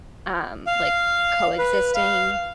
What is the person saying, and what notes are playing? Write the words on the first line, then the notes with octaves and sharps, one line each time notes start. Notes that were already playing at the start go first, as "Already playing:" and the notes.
um, like, coexisting.
F5
B4
F5